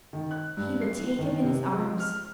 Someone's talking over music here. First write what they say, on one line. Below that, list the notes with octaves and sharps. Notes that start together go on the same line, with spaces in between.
He would take him in his arms.
D#3
F#6
G2
C7
E3
D#3
C3
G#3
F6